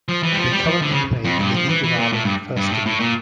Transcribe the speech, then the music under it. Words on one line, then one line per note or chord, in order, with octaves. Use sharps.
They currently play in the League of Ireland First Division.
F3
E3
G3
F3
G3
F3
D3
C#3
F2
G2
F3
E3
E3
A#2
A2
G2
G2
A2
A2
A#2